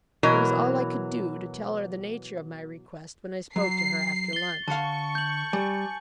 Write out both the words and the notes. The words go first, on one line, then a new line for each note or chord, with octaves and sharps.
It was all I could do to tell her the nature of my request, when I spoke to her after lunch.
B2 E3 F#3 A#4
F#3 C7
A6 G7
D3 F5 A5 C#6 C#7
G6 F#7
G3 G#5